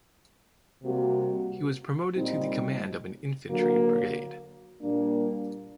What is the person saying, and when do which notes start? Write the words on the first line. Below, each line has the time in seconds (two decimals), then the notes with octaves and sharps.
He was promoted to the command of an infantry brigade.
0.83 C3 G3 A#3 F#4
2.16 A#2 G3 C4 D#4
3.48 D3 F#3 A#3 F#4
4.81 A#2 G3 A#3 D4